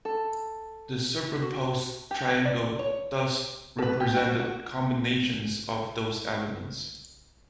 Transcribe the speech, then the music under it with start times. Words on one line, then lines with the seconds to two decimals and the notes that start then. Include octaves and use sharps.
The superposed triangles thus represented combinations of those elements.
0.05 A4
1.42 F#4
2.11 G4
2.28 B4
2.45 D5
2.79 C#5
3.79 A4
3.82 B4
4.00 G4
4.17 F#4
4.40 F#4